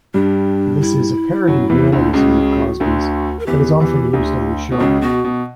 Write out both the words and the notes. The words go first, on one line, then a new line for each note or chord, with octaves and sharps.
This is a parodied mannerism of Cosby's that is often used on the show.
G2 G3 D4
E4
F#2 F#3
E2 E3
D2 D3
C#2 C#3 F#4
D2 D3
A#4
E2 E3 G4
E2 E3
D2 D3
B2
C#2 C#3 F#4
B2 F#4
B2